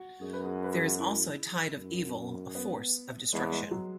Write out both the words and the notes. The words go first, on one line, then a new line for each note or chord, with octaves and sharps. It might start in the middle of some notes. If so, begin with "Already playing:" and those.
There is also a tide of evil, a force of destruction.
Already playing: F#4
F#2 G#4
B4
G#4
B4
G#4
F#4
E4
F#2
B3
E2 G#3
G#3
F#3